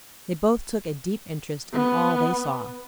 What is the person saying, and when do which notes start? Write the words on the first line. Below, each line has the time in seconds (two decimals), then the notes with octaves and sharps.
They both took a deep interest in all they saw.
1.74 B3